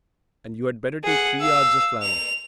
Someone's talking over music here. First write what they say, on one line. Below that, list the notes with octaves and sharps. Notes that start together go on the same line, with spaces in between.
And you had better take three yards of flannel.
G#4 F#5
F5 E6
F7